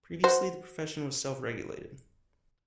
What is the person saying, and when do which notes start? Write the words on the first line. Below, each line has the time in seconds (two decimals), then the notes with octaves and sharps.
Previously, the profession was self-regulated.
0.24 F#4 C5